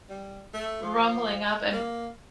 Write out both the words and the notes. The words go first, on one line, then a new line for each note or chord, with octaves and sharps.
rumbling up and
G3
A3
F3
G#3
A#3